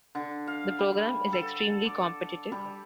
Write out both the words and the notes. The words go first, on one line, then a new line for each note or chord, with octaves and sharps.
The program is extremely competitive.
D3
F5
G3
A4
D6
G3